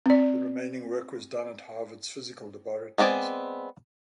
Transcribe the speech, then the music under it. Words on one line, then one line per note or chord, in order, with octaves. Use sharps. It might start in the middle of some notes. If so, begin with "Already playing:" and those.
The remaining work was done at Harvard's Physical Laboratories.
C4 D5
G#3 B3 C4 D5 G#5